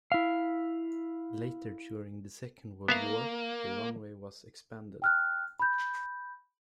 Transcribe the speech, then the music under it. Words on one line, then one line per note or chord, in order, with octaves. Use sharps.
Later during the second World War, the runway was expanded.
E4 F5
A#3 B3 E5 F5
G5 F6 F#6
B5 G6